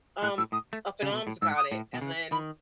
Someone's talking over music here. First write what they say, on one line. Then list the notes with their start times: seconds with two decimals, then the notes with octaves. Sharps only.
um, up in arms about it, and then,
0.23 A2 F#6
0.38 A2 E6
0.52 A2 D#6
0.73 A3
1.02 C#3
1.13 B2
1.27 A2
1.42 G#2 E6
1.57 D#6
1.72 A2
1.94 B2
2.01 C#3
2.32 D#3 B5